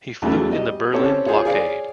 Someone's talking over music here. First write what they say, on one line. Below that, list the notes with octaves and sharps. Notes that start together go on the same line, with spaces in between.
He flew in the Berlin Blockade.
E2 C#3 F#3 A3
G3 D#5
C4 C#4 G4 A4 C#5
F4 G#4 C5 C#5
G#4 C#5 D5 F5